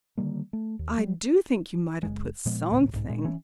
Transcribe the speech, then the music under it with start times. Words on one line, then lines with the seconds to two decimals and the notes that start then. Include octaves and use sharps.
"I do think you might have put something."
0.17 D3 D#3 G3 A#3
0.53 A3
0.79 D#2
0.98 G3
2.03 F#1 G#3
2.46 A#2 F3 G#3 B3
2.72 D1 G#1 C#2 A2
2.93 B1 G#2
3.09 A#2 G#3
3.24 E3 C#4